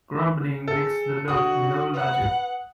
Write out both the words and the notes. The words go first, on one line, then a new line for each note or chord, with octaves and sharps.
Grumbling makes the loaf no larger.
G#4 A4
D3 F#4 D#6
B4 F#5